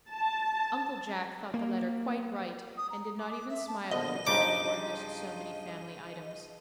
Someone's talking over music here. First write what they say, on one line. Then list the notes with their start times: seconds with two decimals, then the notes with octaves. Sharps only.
Uncle Jack thought the letter quite right, and did not even smile at her telling the organist so many family items.
0.10 A5
1.54 A#3
2.77 D#6
2.90 A#5
3.19 D6
3.30 D6
3.49 E5
3.67 A5
3.91 A#1 B2 D3 D#5
4.27 G2 C#3 F3 D#4 B4 D6